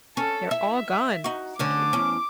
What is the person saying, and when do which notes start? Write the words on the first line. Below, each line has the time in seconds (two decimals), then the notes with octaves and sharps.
"They're all gone," said he.
0.17 C#4 A4
0.51 E4 E5
1.24 D#4 F#4
1.59 D2 D3 C#4 D6
1.93 E2 C#4